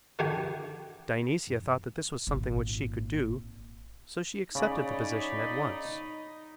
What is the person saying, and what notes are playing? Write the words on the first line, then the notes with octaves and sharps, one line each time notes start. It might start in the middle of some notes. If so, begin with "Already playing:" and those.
Dionysia thought that this was something which she could do, so she accepted the position at once.
D3 D#3 F#4 G4 G#5
G#1 A#2
C#3 D#4 C#5 D5 B5